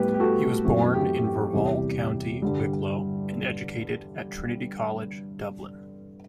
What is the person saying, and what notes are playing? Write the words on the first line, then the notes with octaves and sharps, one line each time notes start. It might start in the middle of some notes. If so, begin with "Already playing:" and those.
He was born in Verval, County Wicklow, and educated at Trinity College, Dublin.
Already playing: A2 G3 B3 G4 B4
G4
F#4 A4
F#2 E3 A3 C4 F#4
G4
G4
E2 C3 G3
G2 D3 G3